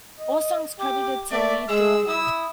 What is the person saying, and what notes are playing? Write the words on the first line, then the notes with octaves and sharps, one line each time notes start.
All songs credited to Lee Dorman.
D#5
G4 D6
A3 D5 E5
G#3 G#4 E6
E4 D#6 E6